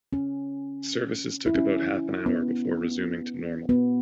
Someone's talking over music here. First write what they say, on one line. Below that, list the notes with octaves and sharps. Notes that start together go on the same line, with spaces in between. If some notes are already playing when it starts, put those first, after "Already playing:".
Services took about half an hour before resuming to normal.
C#4
E4
C#4
B3
B3